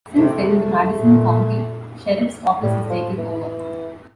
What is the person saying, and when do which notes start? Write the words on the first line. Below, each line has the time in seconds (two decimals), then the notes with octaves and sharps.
Since then, the Madison County Sheriff's Office has taken over.
0.17 C3 A3
0.98 A#2
2.63 A2 G3
2.90 F3
3.18 E3